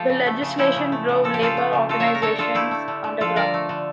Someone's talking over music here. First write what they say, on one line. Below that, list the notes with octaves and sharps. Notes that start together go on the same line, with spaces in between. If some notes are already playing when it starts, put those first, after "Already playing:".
The legislation drove labour organisations underground.
Already playing: F3 A3 F4 G4 A4
C#3
A3
C#3
F3 E4 G4
C#3
A3
C#3
F3 A4
G4
C#3 F4 A4
A3
C#3
A3 F4 A4
C#5 E5
A3
A#4
D3 A4 C#5
D3 F4 A4
A3 E4 G4
A3
D3
D3
F3 F4 A4
D3 A#4 D5
A3
D3